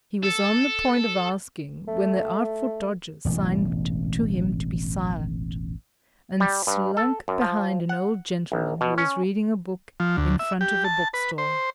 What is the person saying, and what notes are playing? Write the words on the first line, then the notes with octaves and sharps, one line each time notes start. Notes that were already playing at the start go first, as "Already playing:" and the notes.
He was on the point of asking, when the Artful Dodger signed to him to be silent, and slunk behind an old gentleman who was reading a book in front of a book-stall.
A4
A3
E1 A1 E2 G#2
G3
G2
A4
F#2
F3
F#5
A#1
B2
C#4
F3
D2
E5
G4
A5
B4
C5